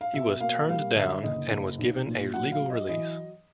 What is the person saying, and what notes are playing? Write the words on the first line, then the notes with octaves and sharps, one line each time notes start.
He was turned down and was given a legal release.
F5
B2 E5
A#3 F5
G3 F5
D3 E5
F#1 D#5
F#1
B1
A#2
F#3 F#5
F5
F#3
D#5
E3 D#5